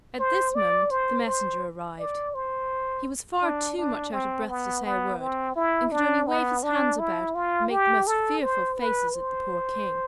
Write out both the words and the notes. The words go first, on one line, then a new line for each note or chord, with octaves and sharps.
At this moment the Messenger arrived: he was far too much out of breath to say a word, and could only wave his hands about, and make the most fearful faces at the poor King.
C5
D5
C5
C5
D5
C5
D4
D4
C4
B3
B3
C4
E4
D4
B3
D4
E4
F4
G4
A4
C5
B4
C5